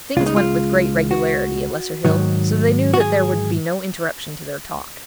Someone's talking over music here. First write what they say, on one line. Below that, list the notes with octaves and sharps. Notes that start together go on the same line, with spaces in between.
Things went with great regularity at Lesser Hill, so they knew that there would be no interruption to their talk.
C#2 C#3 G#3 F4
D#4
F4
F#4
G#2 D#3 F#3
F#4
G#4